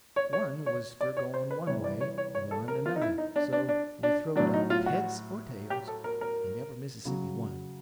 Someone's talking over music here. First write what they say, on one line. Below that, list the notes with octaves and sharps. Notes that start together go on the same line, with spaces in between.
One was for going one way, one another, so we throwed up, heads or tails, and the Upper Mississippi won.
C#5
C#5
C#5
D5
C#5
C5
B4
C3 E3 G3 C#5
D5
C#5
C#5
C#5
A4
A#4
F4
D#4
E4
D#4
D4
D4
D4
D4
A2 F#3 D4
D#4
F4
F#4
G4
A4
A#4
A#4
C#3 F#3